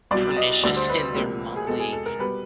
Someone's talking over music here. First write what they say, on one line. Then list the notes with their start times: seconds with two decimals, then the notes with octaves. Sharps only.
pernicious in their monthly
0.11 C2 B2 F#3 D5
0.37 D#5
0.63 D2 D3 G3 D5
0.76 C5
0.89 B4
1.15 C#2 C3 F3 A#3
1.56 G#4
1.67 E2 B2 G#3 A4
1.80 G#4
1.93 A4
2.06 A#4
2.19 B2 G3 B4